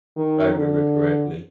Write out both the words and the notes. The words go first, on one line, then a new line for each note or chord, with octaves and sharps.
I remember correctly.
D#3
D3